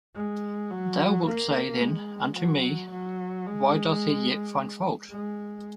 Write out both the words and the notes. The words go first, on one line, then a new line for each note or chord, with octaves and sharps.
Thou wilt say then unto me, Why doth He yet find fault?
G#3
F#3
A#3
G#3
F#3
F#3
G#3
G#3